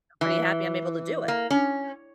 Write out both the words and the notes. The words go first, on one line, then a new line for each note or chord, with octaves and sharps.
I'm pretty happy I'm able to do it.
E3
A#3
C#4